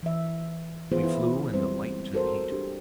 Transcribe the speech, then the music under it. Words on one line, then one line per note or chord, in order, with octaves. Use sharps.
We flew in the light and heat.
E3 E5
D#3 E3 B3 F4 G#4 C5
E4
G3 G#3 C4 C5
F#4 A4 A#4 C5
D4 G4